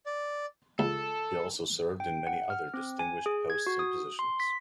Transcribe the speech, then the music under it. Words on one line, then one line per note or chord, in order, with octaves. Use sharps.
He also served in many other distinguished posts and positions.
D5
C#2 A4
G5
F#5
F6
C4
G#5
G#4
G#6
F#4
D#6
C6
B6